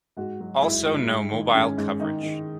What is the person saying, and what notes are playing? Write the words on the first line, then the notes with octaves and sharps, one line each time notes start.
Also no mobile coverage.
G#2 F#4
F#3
G#2 E4
G#2
G#2
D#3
G#2 C#4
G#2
D#3 D#4
D#3